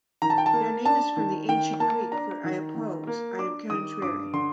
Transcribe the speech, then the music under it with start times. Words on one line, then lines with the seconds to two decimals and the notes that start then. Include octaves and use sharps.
Their name is from the ancient Greek for "I oppose; I am contrary".
0.22 D#3 A#5
0.30 A5
0.38 G5
0.46 A5
0.53 A#3
0.85 D4 A5
1.17 D#3
1.49 D#3 G5
1.80 A#3 A5
2.12 D4 A#5
2.44 D#3
2.75 D#3
3.07 A#3
3.39 D4 D6
3.70 D#3 D#6
4.02 G2 D6
4.33 D3 C6